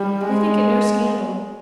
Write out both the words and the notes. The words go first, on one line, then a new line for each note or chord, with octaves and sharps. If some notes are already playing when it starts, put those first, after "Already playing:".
We think it no scandal.
Already playing: G3
G#3